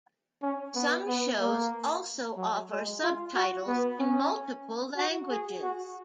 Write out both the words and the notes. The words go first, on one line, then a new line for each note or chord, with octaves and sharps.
Some shows also offer subtitles in multiple languages.
C#4
B3
B3
A#3
F#3
G#3
F4
F#4
B3
C#4
F#4
G#4
F#4